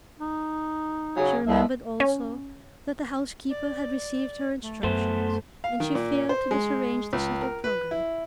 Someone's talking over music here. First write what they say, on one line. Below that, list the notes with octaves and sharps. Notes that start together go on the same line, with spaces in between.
She remembered also that the housekeeper had received her instructions, and she feared to disarrange the settled programme.
D#4
C#3 F#3
C2 F3 G#3 E5
C#4
D5
A3
F#2 A3 B3 C5
F5
D#3
A#2
C5
G#3
C#2
A#4
B4
E4